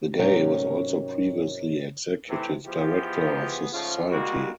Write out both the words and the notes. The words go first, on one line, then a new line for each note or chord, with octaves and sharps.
Begay was also previously executive director of the society.
G#2 C3 F#3 A#3 C#4 D#4
A2 C3 E3
E3 F3 B3 F4 G4 G#4
G#2 C#3 F3 A3 F4
G3 G#3 A#3 F#4